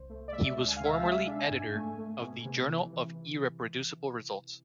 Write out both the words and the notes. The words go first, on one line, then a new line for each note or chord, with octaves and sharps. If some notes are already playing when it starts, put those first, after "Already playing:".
He was formerly editor of the "Journal of Irreproducible Results".
Already playing: C2 C5
A3
D5
G#3 E5
D2
G#5
F5
C3 E5
F5
G#3 E5
D4
G#5
G#2
A3
A3
B2
C3
E3
E3